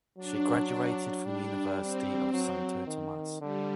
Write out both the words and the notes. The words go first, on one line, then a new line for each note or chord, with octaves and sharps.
She graduated from University of Santo Tomas.
F#3 D4
G3 D4
C4
F#3
D#3
D3 G3